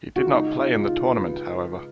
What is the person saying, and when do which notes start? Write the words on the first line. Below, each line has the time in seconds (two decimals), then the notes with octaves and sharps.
He did not play in the tournament, however.
0.16 F#4
0.23 F4
0.31 C#3 G#3 D#4
0.56 F4
0.82 F4
1.07 B4